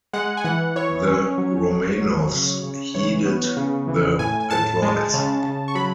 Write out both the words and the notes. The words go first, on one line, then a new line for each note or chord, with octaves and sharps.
The Romanovs heeded the advice.
G#3 F#5
G#5
E3 F#5
E3 C#5
C#4
F#3
F#3
F#3
C#3
C#3
E3 C#5
B3
C#3
E3
A2 G#5
G#5
A2 A5
G#3
C#3
C#3
C#6
F#3 B5